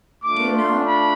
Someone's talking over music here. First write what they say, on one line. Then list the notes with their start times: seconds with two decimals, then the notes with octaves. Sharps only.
Do you know?
0.23 A3 D4 F4 D6
0.54 C6
0.85 B5